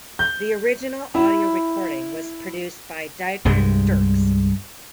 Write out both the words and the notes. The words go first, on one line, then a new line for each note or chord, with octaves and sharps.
The original audio recording was produced by Dieter Dierks.
G6
E4
C2 G2 G3 G#3